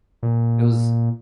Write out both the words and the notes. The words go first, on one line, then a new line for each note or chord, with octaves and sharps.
it was
A#2